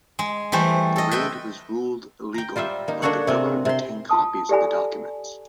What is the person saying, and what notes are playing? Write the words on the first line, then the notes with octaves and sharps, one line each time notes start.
The raid was ruled illegal, but the government retained copies of the documents.
G#3
E3 G3 A3 C5
A4 D#5
B4 E5 G5
G5 A#5
G3 F4 C5 E5
A#3 D#4
A#3 D4 F#4 A4 C#5 F#5
C3 C4 G#5
C3 C6
F4 G5 A5 D#6
G4 A4 D5 F5 G#5 B5